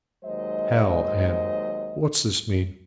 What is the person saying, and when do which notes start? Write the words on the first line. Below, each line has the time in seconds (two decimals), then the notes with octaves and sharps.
"Hell and--What's this mean?"
0.24 D#2 F#3 G#3 C5 D#5